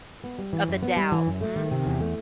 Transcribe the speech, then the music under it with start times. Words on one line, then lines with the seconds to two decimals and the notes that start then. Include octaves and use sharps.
Of the doubt. Mhm.
0.24 B3
0.38 G3
0.53 E3
0.68 F#2
0.83 B3
0.97 G3
1.12 E3
1.26 F#2
1.41 A3
1.56 D#3
1.71 C3
1.86 E2
2.01 A3